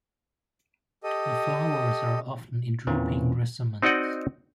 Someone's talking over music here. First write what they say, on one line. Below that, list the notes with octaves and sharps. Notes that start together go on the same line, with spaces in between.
The flowers are often in drooping racemes.
G4 A4 D#5 D#6
E2 A#2 E3 A#3 C4 C#4
C4 D#4 F#4 D5 D#5 F#5